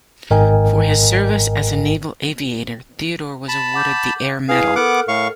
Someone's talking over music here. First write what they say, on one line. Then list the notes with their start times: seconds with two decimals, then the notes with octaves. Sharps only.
For his service as a naval aviator, Theodore was awarded the Air Medal.
0.31 G#1 G#2 A#4 D#5 G5 G#5
3.48 A5 B5
3.74 F#5 D6 G6
4.49 E4 G#4 B4 F5
4.76 B3 A4 A#4 F#5 D6 F6
5.08 A2 F5 C#6